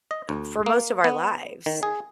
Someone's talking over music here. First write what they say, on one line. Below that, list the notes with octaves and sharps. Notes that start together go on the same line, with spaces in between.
uh, for most of our lives.
D#5
D2
A#3
B3
D#3
G#4